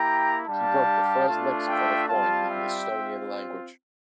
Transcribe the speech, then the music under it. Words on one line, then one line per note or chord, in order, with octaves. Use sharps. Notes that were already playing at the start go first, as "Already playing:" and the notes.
He wrote the first lexicon of wine in Estonian language.
Already playing: A#3 E4 G4 G5 A#5
G3 D4 G4 F5 A5
A3 D4 F4
E5 G5
G3 C4 F4 F5 A5
E5 G5
C4 F4